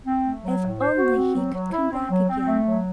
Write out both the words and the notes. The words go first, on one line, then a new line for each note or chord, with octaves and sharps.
If only he could come back again!
C4
A3
F#3
A2
C5
F#4
C4
F#3
F#3
E4
C4
F#3
C4
A3
F#3